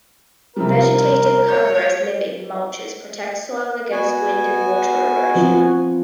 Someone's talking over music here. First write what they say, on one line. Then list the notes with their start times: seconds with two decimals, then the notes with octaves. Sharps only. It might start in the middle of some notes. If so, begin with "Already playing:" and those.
Vegetative cover as living mulches protect soil against wind and water erosion.
0.56 C3 F3 G3 A#4
1.48 C#5 G6
3.92 B3 F#4 G#5
5.35 F3 C4 F4